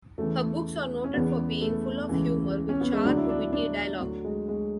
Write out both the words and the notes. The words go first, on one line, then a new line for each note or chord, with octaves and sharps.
Her books are noted for being full of humor, with sharp, witty dialogue.
E2 C#3 E3 A3
C#4
E2 C#3 E3 B3
A3
C#2 C#3 E3
C#4
B3
G#3
D2 D3 F#3 D4
E4
D4
E4
D4
D2 D3 F#3 F#4
G#3
G#3